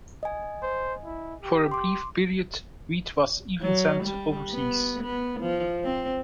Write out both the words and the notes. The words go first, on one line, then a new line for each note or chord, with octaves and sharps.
For a brief period wheat was even sent overseas.
D#5 G#5
C5
E4
G4
C6 D6
F#3
G3
B3
B3
F3
C4